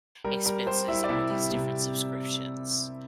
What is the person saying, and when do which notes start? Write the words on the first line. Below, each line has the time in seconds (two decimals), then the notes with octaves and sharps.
expenses are these different subscriptions.
0.24 G3 A#4
0.45 G3 A#4
0.66 G3 C5
0.88 G3 E4 E5
1.04 D5
1.08 C3 E4 E5
1.30 G3
1.51 C3